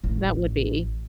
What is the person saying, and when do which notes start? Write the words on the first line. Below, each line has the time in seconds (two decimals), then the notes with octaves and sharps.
That would be.
0.04 A1